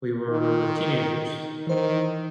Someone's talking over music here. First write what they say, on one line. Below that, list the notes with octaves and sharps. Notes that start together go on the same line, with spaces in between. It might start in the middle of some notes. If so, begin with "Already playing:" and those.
we were teenagers,
D#3
D#3 E3 C5